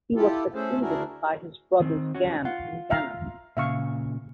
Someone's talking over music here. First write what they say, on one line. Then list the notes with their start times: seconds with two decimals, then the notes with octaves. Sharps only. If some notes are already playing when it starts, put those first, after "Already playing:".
He was succeeded by his brothers Gann and Genann.
0.16 E4 F4 G4 A4
0.54 A3 C#4 G#4 A4 C5
0.81 D2 D4 E4 F#4 G#4 A#4
1.80 D#3 C4
2.15 C#4 F#4
2.45 F4 F#5
2.90 E5 F5 A#5
3.57 A#2 C#3 E5 F5 C#6